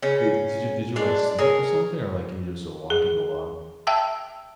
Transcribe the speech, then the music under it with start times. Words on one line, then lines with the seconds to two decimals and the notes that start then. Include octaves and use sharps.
Wait. Did you did you, like, slip or something or, like, you just are walking along?
0.02 C#3 C#4
0.96 G#3 D4 D5 A5
1.38 G#4 A#4 C#5
2.90 G#4
3.87 E5 G5 A5 E6